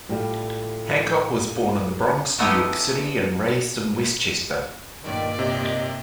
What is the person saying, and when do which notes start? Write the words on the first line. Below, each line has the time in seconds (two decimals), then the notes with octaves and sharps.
Hancock was born in the Bronx, New York City and raised in Westchester.
0.09 A2 G3 F4
2.38 G#3 A3 B3 D#4 E4 G4
5.04 G2 A#2 D#3 D5
5.39 D#2 C3 D#5